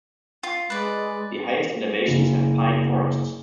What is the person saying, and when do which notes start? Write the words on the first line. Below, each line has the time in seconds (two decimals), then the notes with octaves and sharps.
The highest elevations have pine forests.
0.43 F4
0.70 G#3 B4 D5
2.08 F#1